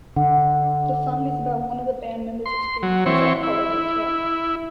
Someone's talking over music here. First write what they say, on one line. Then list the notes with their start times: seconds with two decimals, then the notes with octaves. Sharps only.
The song is about one of the band members' experiences at a holiday camp.
0.16 D3 F#5
2.46 C6
2.83 F#3
3.06 E3 C4 C#5
3.43 E4